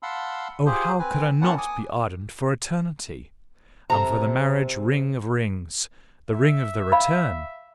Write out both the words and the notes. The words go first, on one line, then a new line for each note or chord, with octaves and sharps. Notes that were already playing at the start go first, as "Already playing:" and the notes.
Oh, how could I not be ardent for Eternity, and for the marriage-ring of rings--the ring of the return?
F5 F#5 A5 B5 C6 E6
F4 G4 G#4 C5
C4 B4 G#5
A#3 C4 C#4 E4 F#5 A5
G#5 D6 D#6
C3 A4 E5 A#5
E5
F5 B5